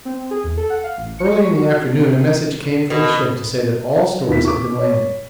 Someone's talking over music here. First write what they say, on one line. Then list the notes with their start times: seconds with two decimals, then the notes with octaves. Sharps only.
Early in the afternoon a message came from the ship to say that all stores had been landed.
0.05 C4
0.31 G#4
0.44 E2
0.57 A4
0.70 F#5
0.84 F5
0.98 A1
1.19 C#7
1.31 C#6
1.57 F#4
2.90 B2
4.28 D#2 E4 F4 B6
4.45 C#6 D6
4.78 C#5